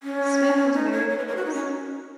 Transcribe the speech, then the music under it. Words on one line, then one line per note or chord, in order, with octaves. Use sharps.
Smith was married twice.
C#4
D#4
C#5
C#5
B4
A#4
F#4
D#4
C#4